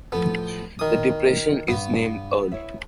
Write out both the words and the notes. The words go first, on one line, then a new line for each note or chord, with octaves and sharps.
The depression is named Earl.
A2 F3 B3 A4
B2 D#3 D#6
G2 B3
E4 C#5 E5